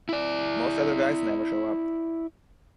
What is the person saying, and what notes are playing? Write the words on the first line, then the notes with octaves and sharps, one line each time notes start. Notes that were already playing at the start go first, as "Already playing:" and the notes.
Most other guys never show up.
E4 D5